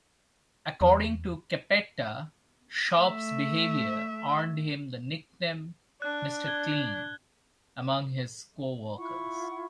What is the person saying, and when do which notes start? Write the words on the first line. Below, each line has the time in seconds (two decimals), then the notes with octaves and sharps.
According to Cappetta, Sharpe's behavior earned him the nickname "Mr. Clean" among his co-workers.
0.81 E2
3.00 A3 E5
6.02 D4 F#6
6.47 G#6 G7
8.97 E4 F4 F#5 C#6